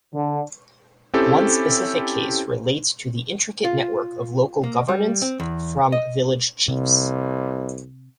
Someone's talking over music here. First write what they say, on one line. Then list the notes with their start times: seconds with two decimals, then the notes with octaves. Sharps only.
One specific case relates to the intricate network of local governance from village chiefs.
0.14 D3
1.14 C4 C#4 E4 G4 A4
3.64 F4
4.64 A#3
4.88 G3
5.22 C4
5.40 E2
5.92 D#5
6.68 C2 C3